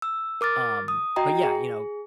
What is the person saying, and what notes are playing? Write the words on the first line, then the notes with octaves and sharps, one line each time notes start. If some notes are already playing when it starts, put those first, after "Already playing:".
Um, but yeah, you know,
E6
A#4 D6 F6 A6
D#6
F#4 D#5 G5 A#5
G#4